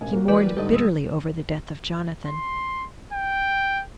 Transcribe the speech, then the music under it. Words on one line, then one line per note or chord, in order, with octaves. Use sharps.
He mourned bitterly over the death of Jonathan.
E1 A1 G#5
A#3 F#4
E3 G3 B4 D5
G#2 D3 D#4 G4 A4 D#5
D2 A2 G#3 D#6 E6
C6
G5